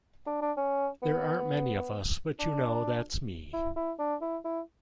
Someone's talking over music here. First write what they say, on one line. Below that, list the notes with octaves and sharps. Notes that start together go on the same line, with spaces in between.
There aren't many of us, but you know, that's me.
D4
D4
C#4
B3
D4
E4
E4
D4
E4
E4